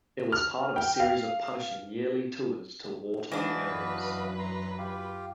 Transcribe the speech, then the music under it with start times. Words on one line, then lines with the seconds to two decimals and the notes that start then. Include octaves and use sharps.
It was part of a series of punishing yearly tours to war-torn areas.
0.32 F6
0.76 G5
1.00 F5
3.32 E3 D4 F#4 B4 D#5 F5
3.64 F#2
4.39 A#5 C6
4.78 F4 G4